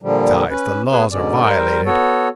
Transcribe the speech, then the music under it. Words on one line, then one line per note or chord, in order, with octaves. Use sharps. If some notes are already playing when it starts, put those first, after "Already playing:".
Besides, the laws are violated.
A#2 D3 F3 G3
C#4 B4
B3 G#4 B4
G#2 B2 D3 C#4 D5
G3 A#4 C5
B3 F#4 A4 C#5